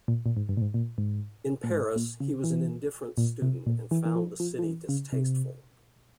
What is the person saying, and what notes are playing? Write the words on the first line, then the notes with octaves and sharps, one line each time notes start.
In Paris, he was an indifferent student and found the city distasteful.
A#2
A#2
G#2
G2
A#2
G#2
A#2
G#2
A#2
G#2
A#2
C#3
E3
A#2
C3
A#2
E3
E3
F3
F3
F3
E3
C#3
C3